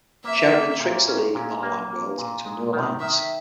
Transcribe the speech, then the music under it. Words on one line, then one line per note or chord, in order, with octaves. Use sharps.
Sheridan tricks the League of Non-Aligned Worlds into a new alliance.
A#3 E5
A#3
A#2
C#4
A#2
A#3
A#3
A#2
G#3
D#3
D#3 E5